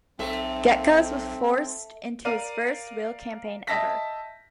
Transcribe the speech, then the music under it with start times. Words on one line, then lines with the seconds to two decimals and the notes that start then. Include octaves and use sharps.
Gekas was forced into his first real campaign ever.
0.19 B1 A3 C4 A4 E5
2.25 A#4 D5 F5 D#7
3.67 D#5 E5 A5 A#6 B6